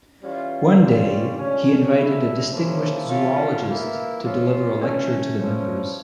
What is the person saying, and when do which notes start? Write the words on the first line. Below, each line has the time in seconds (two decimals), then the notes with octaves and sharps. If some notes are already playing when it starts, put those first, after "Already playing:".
One day he invited a distinguished zoologist to deliver a lecture to the members.
0.22 E3 G3 C#4 F4
0.80 G2 D3 G3 C#4 F4
1.37 D3 G3 C#4
1.95 D3 G3 C#4 E4
2.52 C#3 F3 A#3 C#4 E4
3.09 E3 A3 C#4 F4
3.65 E3 A#3 E4
4.23 F3 C#4 F4
4.81 E3 A3 C#4
5.37 G2 F3 C#4 E4